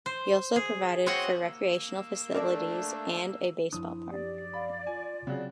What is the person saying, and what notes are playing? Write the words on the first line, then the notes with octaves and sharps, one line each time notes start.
He also provided for recreational facilities and a baseball park.
C5
G#4
C4 F#4 C#5 D#5 F#5
A#3 E6
A3 D4 A#4 D5 E5
F#2 F3 D4 E4 D#6
G4 D5
F5 B5
F4 G#5
C#3 F#3 C4 F#4 G#4